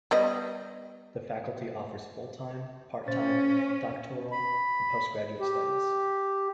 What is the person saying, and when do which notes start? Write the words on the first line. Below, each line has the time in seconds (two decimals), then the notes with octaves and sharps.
The Faculty offers full-time, part-time, doctoral and postgraduate studies.
0.11 G3 B3 D#5
3.08 A#2 C#4 C5 A6
4.32 B5
5.41 G4